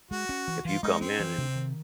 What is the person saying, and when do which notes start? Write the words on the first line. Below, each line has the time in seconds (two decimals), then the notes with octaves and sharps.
if you come in and
0.11 G#3 F#4
0.29 C#4
0.48 E3
0.65 E3 F4
0.83 G#3 D#4
1.01 C4 C#4
1.20 E3
1.38 C3
1.56 D#3